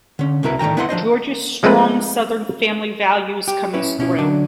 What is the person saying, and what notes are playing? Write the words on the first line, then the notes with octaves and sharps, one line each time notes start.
George's strong Southern family values come through.
D3 C#4
C2 B2 E4 A#4 B4
A2 D3 D#3 G5 A#5
B3 E4 B4 F#5 B5 C6
F3 D4 C5 D#5
F3 G#3 A3 C4 B4
G4
C#4 E4 B4
B2 C#4 E4
D3 F#3 D4